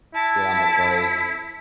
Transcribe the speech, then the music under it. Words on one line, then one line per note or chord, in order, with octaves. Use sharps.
get on the bike.
E4 A5